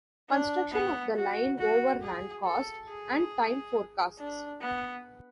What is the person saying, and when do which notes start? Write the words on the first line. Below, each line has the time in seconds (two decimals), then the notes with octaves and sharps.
Construction of the line overran cost and time forecasts.
0.29 D4
0.72 B3
1.15 F#4
1.58 F#4
2.01 G#4
2.44 A4
2.88 G#4
4.18 D4
4.61 B3